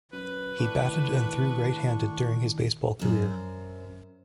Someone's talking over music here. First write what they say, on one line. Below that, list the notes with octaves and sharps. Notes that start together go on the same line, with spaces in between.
He batted and threw right-handed during his baseball career.
F#2 B4
A2 D#3 D4 C#6
F#2 C5